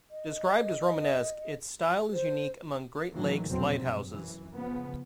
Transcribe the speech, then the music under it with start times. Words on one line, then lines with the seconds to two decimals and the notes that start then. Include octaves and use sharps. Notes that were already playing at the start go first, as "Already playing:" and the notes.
Described as Romanesque, its style is unique among Great Lakes lighthouses.
0.11 D#5
2.13 C5
3.14 A2 D#3 E3 F#3 A#3
3.48 F1 B1 E2 B2 F#3 C4
3.78 G2
4.09 F#2 E3
4.55 C#3 F3 B3